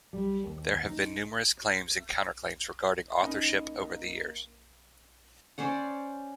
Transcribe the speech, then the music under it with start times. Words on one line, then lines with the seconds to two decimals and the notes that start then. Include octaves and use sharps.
There have been numerous claims and counterclaims regarding authorship over the years.
0.13 G3
0.43 D#2
0.85 D#4
3.22 A#3 C#4 D#4 B5
5.58 C#4 C5 D5 F#5